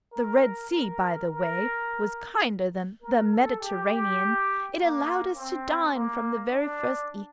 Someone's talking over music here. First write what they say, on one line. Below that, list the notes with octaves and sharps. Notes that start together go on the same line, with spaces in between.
The Red Sea, by the way, was kinder than the Mediterranean: it allowed us to dine from the very first evening.
A#4
A#4
A#4
A#4
A4
G4
G4
A#3
C4
A#3
D4